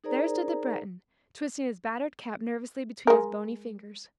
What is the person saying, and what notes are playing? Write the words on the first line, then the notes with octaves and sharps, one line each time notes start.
There stood the Breton twisting his battered cap nervously between his bony fingers.
D#4 G#4 A#4 C5 D5 A#5
G#3 A#4